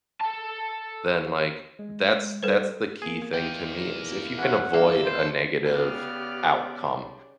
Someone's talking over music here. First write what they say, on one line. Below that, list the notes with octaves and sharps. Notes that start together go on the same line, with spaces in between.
then, like, that's that's the key thing to me is if you can avoid a negative outcome
A4 A5
G#3
G3 A4 B4 C5
A#3 G#4
E2 A#3 D#4 G5
E3 C#4 F#5
E2 G2 A#3 D#4 F4 A4 F5
D3 C4 B4 C5
C#3 B3 G4 D5 F6